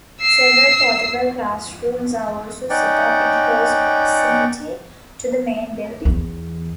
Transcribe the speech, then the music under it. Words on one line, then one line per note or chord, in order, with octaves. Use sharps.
Several portable classrooms are also set up in close proximity to the main building.
E6 C7
C#4 D#4 D5 F#5 G5
E2